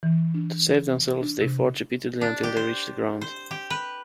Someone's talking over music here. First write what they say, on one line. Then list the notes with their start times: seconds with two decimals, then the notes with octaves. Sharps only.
To save themselves, they fart repeatedly until they reach the ground.
0.03 E3
0.34 D4
1.21 D4
1.41 C3
2.21 D4
2.43 G4
2.57 C5
3.21 C5
3.51 G4
3.70 B4